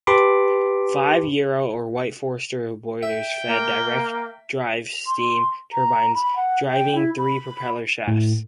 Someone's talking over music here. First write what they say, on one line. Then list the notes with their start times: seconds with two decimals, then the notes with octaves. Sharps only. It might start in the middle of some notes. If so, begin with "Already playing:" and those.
Five Yarrow or White-Forster boilers fed direct-drive steam turbines driving three propeller shafts.
0.07 G4 B4 A5 B5 C6 D6
3.03 E5 G5
3.47 A#3
5.07 C6
5.73 A#5
6.15 B5
6.36 F#5
6.71 G5
6.95 E4
7.18 B5
8.07 A2